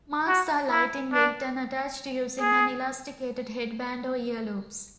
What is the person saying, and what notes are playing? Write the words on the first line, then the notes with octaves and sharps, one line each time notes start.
Masks are light in weight and attached using an elasticated headband or ear loops.
F#4
E4
D4
G#4